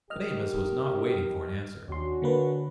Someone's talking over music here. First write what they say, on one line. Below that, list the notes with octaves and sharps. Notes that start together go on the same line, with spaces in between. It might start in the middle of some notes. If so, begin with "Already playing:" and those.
But Amos was not waiting for an answer.
D#3 D#4 G4 D#5 F6
D#2 C#4 D4 F#4 C6
D3 A#3 B4